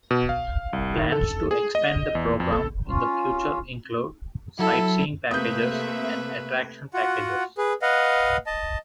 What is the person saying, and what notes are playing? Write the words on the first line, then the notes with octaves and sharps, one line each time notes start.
Plans to expand the program in the future include sightseeing packages and attraction packages.
B2
F5
C2
D#3
A4
G#4
D#5
E2
F2
A4
C#4 F4
F#3 E4 A4
C3 A3 A#3 B4 E5 D#6 G6
F4 F#4 F#5
G#4 B4
B4 D#5 F5 F#5
D#5 A5